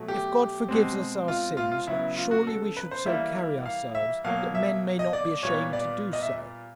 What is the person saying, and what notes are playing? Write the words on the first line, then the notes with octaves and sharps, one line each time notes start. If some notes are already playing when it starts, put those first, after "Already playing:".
If God forgives us our sins, surely we should so carry ourselves that men may not be ashamed to do so.'
Already playing: B2 F#3 A3
G4
B2 G#3 C4
F4
F4
F4
C#3 F#3 B3 E4
F4
F#4
A4
B4
C5
E3 G3 A#3 E5
F5
E5
B2 F#3 A#3 F5
E5
D#5
D5
A#2 G3 B3 C#5
D5
D#5
E5